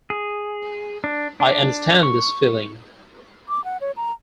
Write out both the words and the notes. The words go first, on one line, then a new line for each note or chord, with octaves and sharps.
I understand this feeling.
G#4
D4
D4
C#6
D6
F#5
C#5
A#5